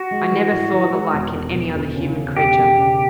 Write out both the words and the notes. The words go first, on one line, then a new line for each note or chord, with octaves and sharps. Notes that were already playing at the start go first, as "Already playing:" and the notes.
I never saw the like in any other human creature.
Already playing: F#4
G#3
E3
A2
E3
G#3
E1
E1
E1
D2
C#3
E1
E1 G4
E1
C#3